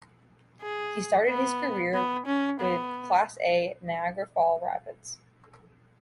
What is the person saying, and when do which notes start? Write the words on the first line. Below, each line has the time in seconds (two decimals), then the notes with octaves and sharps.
He started his career with class A Niagara Falls Rapids.
0.62 G#4
1.28 B3
1.94 B3
2.26 C#4
2.60 B3